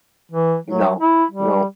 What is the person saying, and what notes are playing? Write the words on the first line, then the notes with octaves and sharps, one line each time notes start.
No. Nope.
E3
F#3
E4
G3